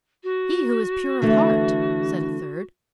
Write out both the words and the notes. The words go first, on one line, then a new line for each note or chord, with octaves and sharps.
"He who is pure of heart," said a third.
F#4
D3 E3 A3